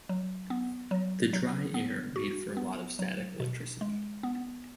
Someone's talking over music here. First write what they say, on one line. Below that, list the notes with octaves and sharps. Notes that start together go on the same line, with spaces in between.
The dry air made for a lot of static electricity.
F#3
B3
F#3
F#3
B3
F#4
B3
F#3
B2
G#3
B3